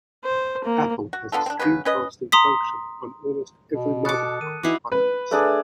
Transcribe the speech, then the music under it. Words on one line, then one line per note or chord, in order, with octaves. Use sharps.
Apple has a screencasting function on almost every model of their products.
C5
A#3
F#4
D3 B3 F4 A4
C4 D4
C#3 F#3 C#4 B4
C#4 B4 D#5
A#5 C6 D#6 B6
B2
A4 D6 D#6 F#6 C#7
D#3 D#7
E3 D#4 E4 F#4 D6 C7
B4
A3 D4 G#4